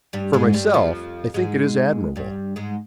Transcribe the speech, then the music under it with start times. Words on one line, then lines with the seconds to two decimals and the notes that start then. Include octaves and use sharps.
For myself, I think it is admirable.
0.13 G2 G3
0.33 G#2 G#3
0.54 G2 G3
0.74 F2 F3
1.34 G#2 G#3
2.16 G2 G3
2.56 G#2 G#3